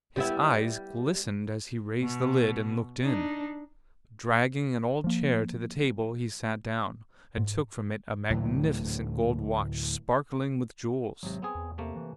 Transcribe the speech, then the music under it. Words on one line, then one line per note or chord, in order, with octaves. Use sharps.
His eyes glistened as he raised the lid, and looked in. Dragging an old chair to the table, he sat down; and took from it a magnificent gold watch, sparkling with jewels.
G3 B3 E4
B2
D4 D#4
F3 A#3
G#2
D2 A2 E3 F#3
G#1 C3 F#3
B3 C4 G#4
E2
C3 A3 A#3
E3